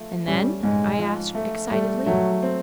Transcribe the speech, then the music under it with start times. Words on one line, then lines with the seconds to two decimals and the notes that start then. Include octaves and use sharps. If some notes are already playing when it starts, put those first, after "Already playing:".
"And then?" I asked, excitedly.
Already playing: F3 A3
0.27 G3 C#4
0.62 G#2 G#3
0.99 F3
1.35 A3
1.71 G3 A3
2.06 F#3 A3
2.43 C4